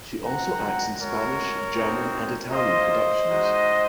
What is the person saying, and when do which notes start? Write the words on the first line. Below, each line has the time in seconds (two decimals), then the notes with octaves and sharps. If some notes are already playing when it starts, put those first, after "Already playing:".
She also acts in Spanish, German, and Italian productions.
0.23 C4 F#4 F#5 A#5
0.99 G#3 C#4 F#4 A#4 C#5
1.75 C4 D#4 F#4
2.50 A#3 F4 C5 D#5
3.27 G#3 D#4 F#4